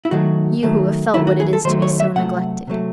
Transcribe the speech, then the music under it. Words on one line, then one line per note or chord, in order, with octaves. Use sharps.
You who have felt what it is to be so neglected!
E4
D#3 F#3 A3 F#4
D#3 F#3 A3
D#3 F#3 A3 E4
F#4
G#4
A4
D#3 F#3 A3 C5
C#5
E5
C3 F#3 A3 F#5
C3 F#3 A3